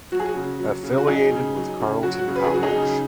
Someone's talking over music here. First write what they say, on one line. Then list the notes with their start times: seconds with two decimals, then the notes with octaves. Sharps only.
Affiliated with Carleton College.
0.12 F#3 F#4
0.20 G#4
0.29 F#4
0.35 C#3
0.60 F#3
0.84 C#3
0.98 F#4
1.07 F#3 D#4 G#4
1.31 C#3
1.56 F#3
1.80 C#3
2.03 F#3 F#4
2.19 F#4
2.28 C#3
2.36 B4
2.44 G#4
2.51 F#3 F#4
2.63 D#4 G#4
2.75 C#3